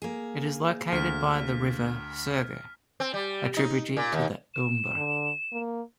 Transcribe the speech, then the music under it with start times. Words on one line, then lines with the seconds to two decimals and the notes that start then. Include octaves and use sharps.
It is located by the river Segre, a tributary to the Ebre.
0.02 A#3 G#4
0.92 D2 F6 B6
3.00 C4
3.14 G3
3.57 D#4
3.97 A#2
4.12 D#2
4.54 E7
4.97 D3
5.52 A#3